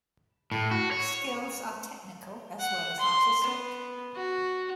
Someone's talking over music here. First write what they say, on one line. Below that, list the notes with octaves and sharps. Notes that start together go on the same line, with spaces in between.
Skills are technical as well as artistic.
A2
F#4
C#5
F#5
C6
B3
F#4